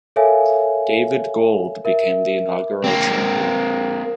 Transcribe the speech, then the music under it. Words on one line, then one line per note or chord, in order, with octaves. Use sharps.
David Gold became the inaugural champion.
A4 A#4 C#5 E5 F5 G#5
A#4 E5
A#3 C4